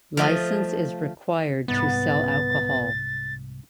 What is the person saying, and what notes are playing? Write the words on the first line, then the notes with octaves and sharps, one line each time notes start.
Licence is required to sell alcohol.
F3 A3 D#5
C2 G#2 B3 A6